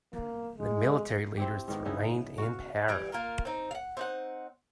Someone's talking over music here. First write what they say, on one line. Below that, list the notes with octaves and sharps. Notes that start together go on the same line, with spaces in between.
The military leaders remained in power.
A#3
G#3
C4 E4 G4
G#2 D#3 B3
C#3 B3 D#4 E4
F#4 F5
E3 G3 G4
A#3 F4 A#4
C4 D#4
F5 F#5
C4 D#4 F#5